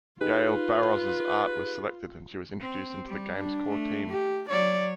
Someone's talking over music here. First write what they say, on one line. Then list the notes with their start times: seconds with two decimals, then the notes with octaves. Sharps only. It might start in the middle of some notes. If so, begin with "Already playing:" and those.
Yaël Barroz's art was selected and she was introduced into the game's core team.
0.21 D#4 F4 G4 G#4 B4
2.61 C4
3.06 G3
3.38 D4
3.68 A3
4.09 G4
4.49 F#3 C#5 D5